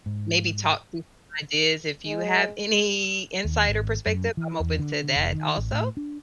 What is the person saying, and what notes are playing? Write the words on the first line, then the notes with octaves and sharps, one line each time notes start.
maybe talk through some ideas if you have any insight or perspective, I'm open to that also.
G#2
G#3
D#2
G#1
F#2
E3
E2
D3
F1
D#3
A1
A2
D4